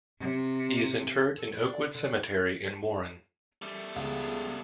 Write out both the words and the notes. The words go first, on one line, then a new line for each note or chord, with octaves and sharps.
He is interred in Oakwood Cemetery in Warren.
C3
A4
B3
D4
D3
D3
G3 A3
C#2 B3 G#4